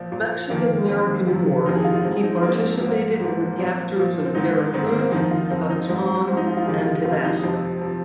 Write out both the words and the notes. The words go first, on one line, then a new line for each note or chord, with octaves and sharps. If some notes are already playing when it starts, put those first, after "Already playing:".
In the Mexican-American War he participated in the captures of Veracruz, Tuxpan and Tabasco.
Already playing: A#2 F3
A#2 F3
F2 D#3 A#3
F2 D#3 C4
F2 C3 D#3
F2 C3 D#3 D#4
G#4
F4
F4
G#2 F3 C4
G#4
D#4
C4
G#2 F3 A#3
C4
G#2 F3 A#3
G#2 F3
A#2 F3 C4
A#2 F3
C4
G#2 D#3 D#4
G#2 D#3 C4
A#3
C4
F2 D#3 D#4
F4
F2 D#3 C4
D#4
G#2 F3 C4
C4
G#2 F3 C4 D#4
F4
F4
F2 C3 D#3 G#4
G#4
F4
F2 C3 D#3 F4
D#4
F2 C3 F3 C4
C3 F3